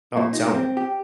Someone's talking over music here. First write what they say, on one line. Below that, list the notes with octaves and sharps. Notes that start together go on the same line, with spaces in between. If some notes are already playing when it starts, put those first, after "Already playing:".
Oh, tell me.
A#2
D#4
C4
G4